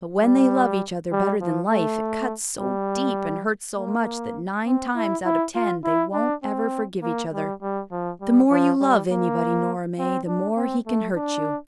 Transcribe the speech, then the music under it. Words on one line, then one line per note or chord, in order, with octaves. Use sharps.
But when they love each other better than life it cuts so deep and hurts so much that nine times out of ten they won't ever forgive each other. The more you love anybody, Nora May, the more he can hurt you.
G3
G3
F3
A3
G3
A#3
C4
E4
E4
F4
E4
D4
C4
A#3
G3
G3
F3
G3
F3
G3
A#3
C4
D4
C4
A3
D4